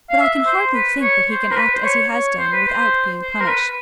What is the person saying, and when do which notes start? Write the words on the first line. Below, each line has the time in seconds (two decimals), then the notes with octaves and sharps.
"But I can hardly think that he can act as he has done without being punished."
0.10 F5
0.20 E5
0.46 C5
0.74 B4
1.01 C#5
1.29 C5
1.51 A#4
1.56 B4
1.74 C5
1.84 C#5
2.11 C#5
2.38 C5
2.52 B4
2.67 C5
3.21 C5
3.40 A#4
3.48 B4